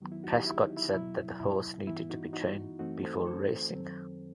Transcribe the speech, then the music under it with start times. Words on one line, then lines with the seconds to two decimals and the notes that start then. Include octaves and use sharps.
Prescott said that the horse needed to be trained before racing.
0.01 D#2 D#3 F#3 B3
0.12 E4
0.23 D#4 F#4
0.35 E4 G4
0.47 E4
0.63 D#4
0.77 E4
0.93 E2 B2 F#3 E4
1.40 E4
1.87 G2 E3 B3 E4
2.10 D#4 F#4
2.33 D#4 F#4
2.79 F#2 E3 A3 C4 D#4 F#4
3.03 A4 C5
3.26 A4 C5
3.74 F#2 D#3 F#3 C4